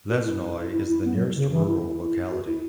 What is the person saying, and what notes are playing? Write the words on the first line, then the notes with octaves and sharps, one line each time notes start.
Lesnoy is the nearest rural locality.
F#4
E4
E4
E4
B3
F#3
C#3
E3
E4
F#4
E4